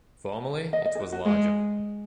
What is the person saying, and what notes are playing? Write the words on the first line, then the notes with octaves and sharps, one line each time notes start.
Formerly, it was larger.
D#5
D#5
G#4
F#4
F#4
G#3 G#4